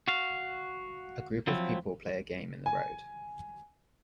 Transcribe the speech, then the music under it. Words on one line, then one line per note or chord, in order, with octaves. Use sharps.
A group of people play a game in the road.
F#4 F5
F3 F#3 C4 E4
G#5